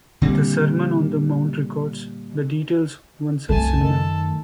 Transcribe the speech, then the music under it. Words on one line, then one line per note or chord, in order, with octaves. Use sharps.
The Sermon on the Mount records the details one such seminar.
A#2 D3 G3 C4
C2 F#2 A3 G#5 A5
D#3 A4